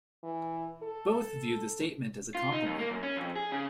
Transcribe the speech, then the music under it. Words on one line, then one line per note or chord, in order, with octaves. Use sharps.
Both view the statement as a compliment.
E3
A4
F4
D#4
D#2
A#3
F#2
C#4
F2
G#4
C#3